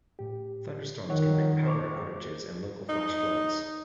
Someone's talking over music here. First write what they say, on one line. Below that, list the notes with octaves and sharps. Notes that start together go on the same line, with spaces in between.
Thunderstorms can bring power outages and local flash floods.
A2 G4
D#3 G3 C#5 F#5
C5 C#6 D6
D#4